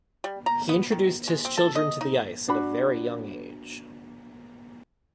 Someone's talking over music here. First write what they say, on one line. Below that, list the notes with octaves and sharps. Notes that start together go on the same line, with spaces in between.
He introduced his children to the ice at a very young age.
G3
A#5
B3
D#3
G#3
C4
A4
D#5
D#4
D4 F#4 B5